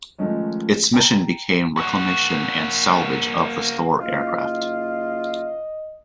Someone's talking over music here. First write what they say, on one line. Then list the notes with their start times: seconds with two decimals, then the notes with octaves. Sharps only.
Its mission became the reclamation and salvage of the stored aircraft.
0.18 D#3 F3 G#3 A3 C#4 D#4
0.94 G5 A5 A#5
1.77 A#3 F#4
4.00 F#1 F4 D#5